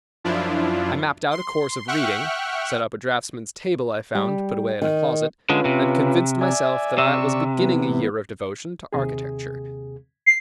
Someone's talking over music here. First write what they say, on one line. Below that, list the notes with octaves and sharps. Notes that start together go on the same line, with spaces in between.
I mapped out a course of reading, set up a draftsman’s table I found put away in a closet, and convinced myself that I was beginning a year of devotion to architecture.
F#2 F3 D4 E4 F4
C6
E5 F#5 G5 C#6 F6 F#6
G3
D#3
D3 G#3 C#4 F4 B4
C3
D5 E5 G#5
C3 D5 C#6 E6
E3 B3
D#2 C3 G#4
C7